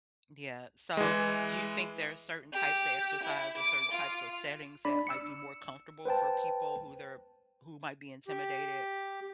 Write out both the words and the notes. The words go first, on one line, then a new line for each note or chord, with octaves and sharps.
D yeah, so, do you think there are certain types of exercise or certain types of settings that might be more comfortable for people who they're who might be intimidated,
E3 G#3
G4
E4
D6
F4
D4 D5 B5
E6 C#7
B4 C5 G5 A5
G4